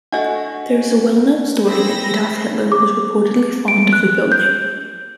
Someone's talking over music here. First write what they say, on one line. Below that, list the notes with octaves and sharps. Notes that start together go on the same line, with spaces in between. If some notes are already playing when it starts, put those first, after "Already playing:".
There is a well-known story that Adolf Hitler was reportedly fond of the building.
A3 D4 F#4 D#5 F#5 G#5
C4 G#4 B5 E6 A#6
D6
D7
F#6
G6